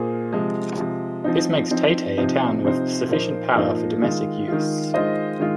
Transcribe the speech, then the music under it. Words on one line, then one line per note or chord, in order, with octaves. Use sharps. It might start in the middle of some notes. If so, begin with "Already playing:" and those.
This makes Taytay a town with sufficient power for domestic use.
Already playing: A#2 A#3 G#4 C5
C3 F3 G#3
C3 F3 G#3
F3 C4 D#4
F3 C4 D#4
C3 F3 C4 D#4 C5
C3 F3 C4 D#4 C5
A#2 F3 A#3 D#4 C5
A#2 F3 A#3 D#4 C5
D#3 G#3 F4
D#3 G#3 F4
D#3 G#3 F4 C5 D#5
D#3 G#3 F4